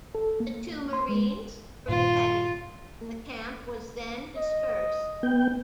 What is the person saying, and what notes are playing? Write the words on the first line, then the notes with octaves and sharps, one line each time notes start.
The two marines were beheaded and the camp was then dispersed.
A4
A#3
C6
G#3
G2 A#2 D#3 F4
D#5
B3 G5